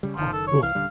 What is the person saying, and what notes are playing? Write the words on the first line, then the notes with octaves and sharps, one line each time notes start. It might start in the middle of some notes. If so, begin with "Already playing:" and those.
Oh, cool.
C#3 G3
F#1 D#3 F3
A4
C#5
C2 E3 F5
D#1 D3 G3